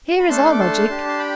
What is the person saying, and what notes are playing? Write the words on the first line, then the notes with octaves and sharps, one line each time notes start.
Here is our logic.
B5
A3 D4 A4 A5 C6
C6
D6
A5 C6
D4 G4
C6
G5 B5